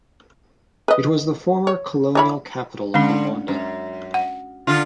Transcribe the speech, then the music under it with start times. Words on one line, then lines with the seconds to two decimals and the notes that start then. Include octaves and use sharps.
It was the formal colonial capital of Rwanda.
0.88 B4 D#5
1.67 C#5
2.15 E3 C#5 B5
2.94 D3 G#3 C#4
3.48 F#2
4.14 F#5
4.67 D3 F4